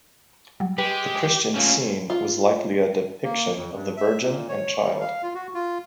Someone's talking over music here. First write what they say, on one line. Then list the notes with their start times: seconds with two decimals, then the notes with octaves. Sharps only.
The Christian scene was likely a depiction of the Virgin and Child.
0.60 F#3 G3
0.78 G#3 G4 B4 G5
1.56 A3 A#3 C#4 F4 G#4
2.10 F4
3.24 A#3
3.56 F2
3.75 G2
3.97 E5
4.22 A#2
4.49 C#5
4.83 G3
5.01 F5
5.23 F4
5.35 F#4
5.54 F4